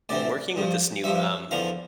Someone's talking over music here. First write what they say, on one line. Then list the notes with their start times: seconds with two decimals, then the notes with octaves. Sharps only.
working with this new, um,
0.09 D2 C3 E3 D5
0.56 G2 F3
1.04 G2 F3 E5
1.51 E2 D3 F3 F5